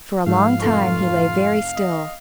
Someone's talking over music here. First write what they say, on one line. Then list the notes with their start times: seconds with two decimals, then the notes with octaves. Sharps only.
For a long time he lay very still.
0.27 G#2 F3 A3 F5
0.60 F1 F4 A4 C#6
1.76 D#5